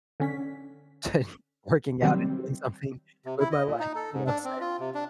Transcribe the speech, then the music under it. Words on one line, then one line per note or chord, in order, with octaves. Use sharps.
to working out and doing something with my life, you know what I'm saying,
D3 C#4 B6
C3 D#3 F#3 G3 C4
C3
E4
D#5
A#2
D#4
A4
G#2
D4
C4
F4
C3
D4